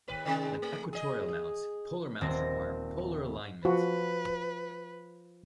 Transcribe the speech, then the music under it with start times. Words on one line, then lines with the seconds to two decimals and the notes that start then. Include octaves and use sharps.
Like equatorial mounts, polar mounts require polar alignment.
0.08 D#2 B4
0.25 C3 D#3 G#3
0.62 A3
0.93 G#4 D#5
2.21 D#1 C4 A#6
3.65 F3 F#4 B4